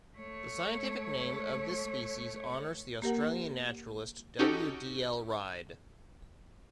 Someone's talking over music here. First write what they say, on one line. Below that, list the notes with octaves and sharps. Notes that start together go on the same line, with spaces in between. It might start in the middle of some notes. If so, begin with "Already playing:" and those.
The scientific name of this species honours the Australian naturalist W. D. L. Ride.
A3 C#5
A#3 G4 A#4 F#5
C#4 D#4 F#4 G4 A4